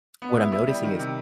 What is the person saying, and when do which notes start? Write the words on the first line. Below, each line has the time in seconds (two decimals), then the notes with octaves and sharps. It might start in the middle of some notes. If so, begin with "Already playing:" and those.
what I'm noticing is,
0.22 B3
0.36 E4
0.52 E4
0.67 G3
0.83 D#3
0.99 C3